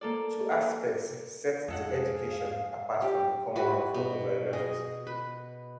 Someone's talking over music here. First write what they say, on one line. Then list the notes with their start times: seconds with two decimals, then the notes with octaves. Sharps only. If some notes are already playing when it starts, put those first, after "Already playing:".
Two aspects set "The Education" apart from the common run of autobiographies.
0.01 A#3 A4 D5
1.68 F2 G#3 G#4 A4 F5 F#5
3.02 G4
3.56 G3 E4 F#4 B4
3.94 B2
4.53 G#4 D#5
5.07 B4